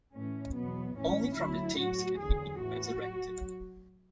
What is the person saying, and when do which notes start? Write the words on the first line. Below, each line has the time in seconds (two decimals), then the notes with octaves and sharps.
Only from the tapes can he be resurrected.
0.14 A2 E3 C#4
0.55 E2 B2 F#3 B3
0.97 A2 E3 C#4
1.37 D2 D3 F#3 E4
1.78 A2 F#3 F#4
2.19 E2 D3 F#3 G#4
2.61 A2 E3 F#4
3.01 F#3